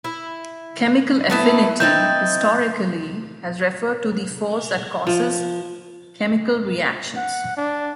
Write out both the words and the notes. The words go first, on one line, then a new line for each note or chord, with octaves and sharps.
"Chemical affinity", historically, has referred to the "force" that causes chemical reactions.
E4
A3 B3 E4
C4 D#4 E4 G6 A6
F3
F#5
D4